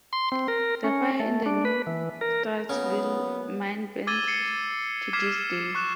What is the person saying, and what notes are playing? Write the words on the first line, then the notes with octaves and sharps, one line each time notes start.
The fire in the New Straitsville mine burns to this day.
C6
C4
A#4
C#4
A3
D4
B4
E3
A#4
C#3 F#3 A#3 B3
D6 E6 G#6 A6 D#7 G7
A6 C7 C#7
D6 F6 G#6 B6 C7 E7
C#6 F#6 C7 E7